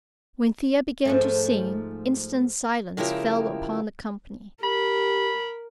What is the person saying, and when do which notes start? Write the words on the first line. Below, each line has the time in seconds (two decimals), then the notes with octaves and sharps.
When Thea began to sing, instant silence fell upon the company.
1.05 G#2 F3 A3
2.97 C#3 F3 G#3 E4 G4 A#4
4.63 G4 A#4 B5